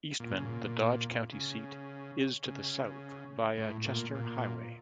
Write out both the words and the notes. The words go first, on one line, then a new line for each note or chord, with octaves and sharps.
Eastman, the Dodge County seat, is to the south via Chester Highway.
A#2
C#3
A#2
C#3
C#3
A2
A#2
A#2